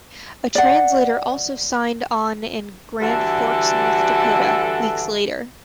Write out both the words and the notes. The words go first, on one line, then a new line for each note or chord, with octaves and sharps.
A translator also signed on in Grand Forks, North Dakota, weeks later.
D5 F#5
D3 E3 G3 F#4 A4